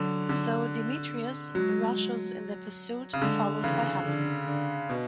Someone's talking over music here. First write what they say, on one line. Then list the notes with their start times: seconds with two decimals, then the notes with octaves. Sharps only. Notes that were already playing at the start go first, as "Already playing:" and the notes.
So Demetrius rushes in their pursuit , followed by Helen.
Already playing: D3 F#3
0.29 D3
1.55 F#3 G#3
3.13 C#3
3.22 D3 G#3
3.63 C#3 E3
4.05 D3
4.47 D3
4.89 B2